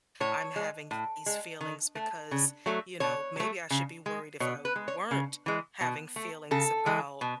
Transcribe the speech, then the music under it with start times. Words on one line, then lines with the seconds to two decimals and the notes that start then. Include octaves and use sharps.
I'm having th these feelings because, you know, maybe I should be worried if I weren't having feelings about,
0.20 A2 C#5
0.56 G#3
0.91 A2
1.26 G#3
1.61 D#3
1.95 A3
2.31 C#3
2.66 F#3 A3
3.00 B2 C#5
3.36 F#3 A3
3.70 C#3
4.06 G#3
4.40 B2 C#5
4.65 B4
4.76 G#3
4.88 C#5
5.11 C#3
5.46 E3 G#3
5.81 B2
6.16 A3
6.51 C#3 A4
6.86 E3 G#3
7.21 B2